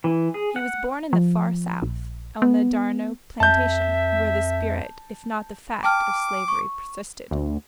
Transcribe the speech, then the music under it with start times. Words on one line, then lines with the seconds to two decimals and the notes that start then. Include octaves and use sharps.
He was born in the Far South, on the d'Arnault plantation, where the spirit if not the fact of slavery persisted.
0.04 E3
0.34 G#4
0.56 F#5
1.13 F3
1.82 A#1
2.42 B3
3.40 F2 E5 A5 G6
5.83 G5 A5 D6 F6
6.48 C#6
7.31 D2